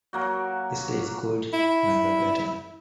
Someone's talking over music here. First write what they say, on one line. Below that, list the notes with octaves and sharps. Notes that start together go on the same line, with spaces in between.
This day is called as "Nagagata".
F#3 A#3 F#4
E4